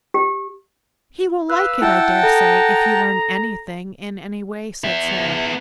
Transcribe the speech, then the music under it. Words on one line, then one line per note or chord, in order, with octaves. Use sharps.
"He will like it, I dare say, if you learn anything in any way," said Sara.
G4
B4 F5 E6 F#6
E4 E5 F#5 G5 A5
A4 A#5
B3 E5